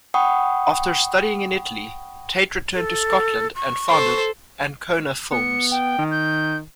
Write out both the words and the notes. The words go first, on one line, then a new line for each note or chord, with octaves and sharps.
After studying in Italy, Tait returned to Scotland and founded Ancona Films.
F#5 G5 B5 C#6 D#6
A4
C#6
A4 C5
B3 C#7
G5
D#3
G6